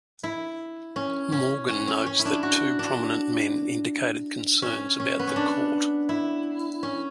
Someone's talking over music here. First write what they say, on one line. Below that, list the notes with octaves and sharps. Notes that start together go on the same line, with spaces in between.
Morgan notes that two prominent men indicated concerns about the Court.
E4
C#4
C#4
C#4
C#4
C#4
E4
D4
F#4
D4
C#4
C#4
B3
C#4
D4
E4
C#4